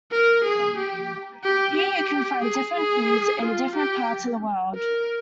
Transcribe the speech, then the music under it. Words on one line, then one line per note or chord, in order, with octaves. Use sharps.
Here you can find different foods in different parts of the world.
A#4
G#4
G4
G4
G4
G#4
G#4
F4
G4
A#4